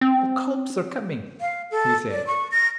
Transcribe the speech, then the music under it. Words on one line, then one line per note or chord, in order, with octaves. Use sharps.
'The cobs are coming!' he said.
C4
F5
A4
D5
C#6
A#6